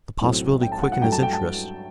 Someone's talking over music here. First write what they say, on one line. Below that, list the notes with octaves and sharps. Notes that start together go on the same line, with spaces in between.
The possibility quickened his interest.
B1 A2 F#3 C4
G5
A5
F#5
F#5
G2 F#3 A3 G5
A5
G5
A5